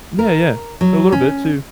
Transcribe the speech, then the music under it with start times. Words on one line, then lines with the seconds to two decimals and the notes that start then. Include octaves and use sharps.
Yeah, yeah. A little bit too.
0.19 A#4
0.81 F#3
1.12 C#4